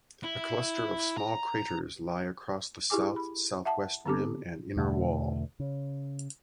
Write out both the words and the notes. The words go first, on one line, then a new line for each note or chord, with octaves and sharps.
A cluster of small craters lie across the south-southwest rim and inner wall.
E4
A#5
E4 G4 G#4 G#5 D6
B5
E5 F#5 A5
D3 B3 C4 G4 A4 D6
E2 B2 D3 A3
C#3